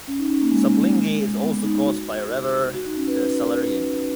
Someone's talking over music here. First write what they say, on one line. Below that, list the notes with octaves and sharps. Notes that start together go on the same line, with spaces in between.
Subligny is also crossed by a river, the Salereine.
C#4
D#4
C#4
A#3
G#3
B3
D#4
F#4
F#4
D#4
C#4
B4
B4